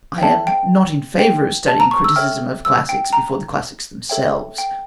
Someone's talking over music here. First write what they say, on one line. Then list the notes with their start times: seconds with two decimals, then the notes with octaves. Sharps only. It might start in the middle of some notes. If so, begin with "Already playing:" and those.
I am not in favour of studying criticism of classics before the classics themselves.
0.18 G5
0.22 A4 C#5 E5 A5
0.47 G5
1.19 G5
1.68 A5
1.80 A#5
1.91 C#6
2.04 E6
2.16 A4 C#5 E5 G5 F6
2.65 E6
2.89 G5
3.13 A#5
4.10 A4 C#5 E5 G5
4.58 G5